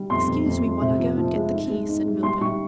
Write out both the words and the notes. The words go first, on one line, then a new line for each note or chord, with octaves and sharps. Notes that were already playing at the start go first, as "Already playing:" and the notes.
"Excuse me while I go and get the key," said Milburgh.
Already playing: G3
F2 C6
F2
F2
F2
C3
F3
F3
G#3
G#2
G#3
G#2
G#3
G3 C6
G3 C#6